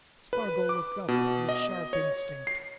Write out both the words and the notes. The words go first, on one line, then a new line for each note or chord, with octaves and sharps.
Spargo looked up with sharp instinct.
B4
D6
B2
D#5
C#5
C7